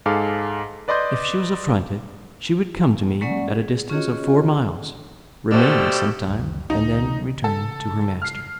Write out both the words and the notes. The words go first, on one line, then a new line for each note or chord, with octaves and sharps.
If she was affronted she would come to me, at a distance of four miles, remain some time, and then return to her master.
G#2 G#4 A4 F5 D6
B4 D5 D#5 C6 D6 G6
F#3 G#3 A#3 C#4 D5 F#5
G#4
C#4 F4 F#4 G#4 C#5 D#5
B2 A3 G4 C5 D5 E6 F6
C#2 F#2
C#2 D#3 D#4
C#3 E3
A4
F6 C7